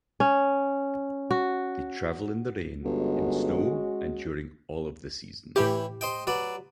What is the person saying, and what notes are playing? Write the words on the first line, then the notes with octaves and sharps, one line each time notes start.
They travel in the rain, in snow, and during all of the seasons.
C#4
F#4
G1 G#3 C#4 F#4
A2 E3 E4 G4 C#5
C5 D#5 G5
F#3 B4 D5